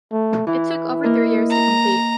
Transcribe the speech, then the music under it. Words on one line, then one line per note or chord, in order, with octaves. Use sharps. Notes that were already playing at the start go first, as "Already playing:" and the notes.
It took over three years to complete.
A3
E3 E4
A#3 A#4 D#5
A#5